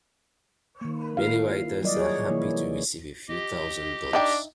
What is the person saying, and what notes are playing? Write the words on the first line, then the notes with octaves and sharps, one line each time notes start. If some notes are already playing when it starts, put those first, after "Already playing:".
Many writers are happy to receive a few thousand dollars.
D#3 A#3
E4 F4 F5
F#3 G3 D5 D#5
G#4 C#5
C3 E3 A#3 E4
G4 D#5
D4 D#4 E5 G5